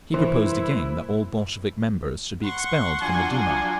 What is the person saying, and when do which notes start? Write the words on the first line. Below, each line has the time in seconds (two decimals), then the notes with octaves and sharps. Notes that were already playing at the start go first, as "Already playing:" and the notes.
He proposed again that all Bolshevik members should be expelled from the Duma.
0.14 G2 B2 E3 A#3 E4 C5
2.41 F#5 C6 C#6
3.02 F3 F#3 D4 G#5